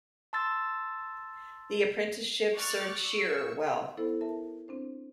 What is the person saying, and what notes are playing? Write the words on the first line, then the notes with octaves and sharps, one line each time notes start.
The apprenticeship served Shearer well.
A5 C6 E6 A6
D5 C#6 F6 F#6 A6
C#6 E6 C#7
B3 E4 A4 C5
A#4 E5 A5
C4 D4 C5